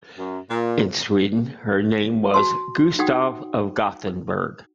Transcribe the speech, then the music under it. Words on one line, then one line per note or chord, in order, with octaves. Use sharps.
In Sweden her name was "Gustav of Gothenburg".
F#2
A#2
F#4 A5 C6
D#4 F#4 F#5 G5 D#6